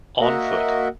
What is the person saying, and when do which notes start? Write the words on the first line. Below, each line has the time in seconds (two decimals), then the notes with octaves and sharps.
On foot.
0.21 A#3 F#4 A#4 D#5 E5 F#5